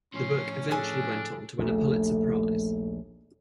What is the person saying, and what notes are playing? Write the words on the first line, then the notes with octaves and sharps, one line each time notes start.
The book eventually went on to win a Pulitzer Prize.
A2 F3 C#4 C6
D4 G#4 A4 G#5
A#1 D#2 A3